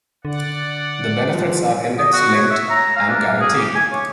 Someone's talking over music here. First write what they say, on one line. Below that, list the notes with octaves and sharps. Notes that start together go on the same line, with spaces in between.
The benefits are index-linked and guaranteed.
D3 D5 F#5
G2 F3
D#5
F#4
C#5
E5
A#5
F5
D4
F5
G#4
G4
G#5
C#5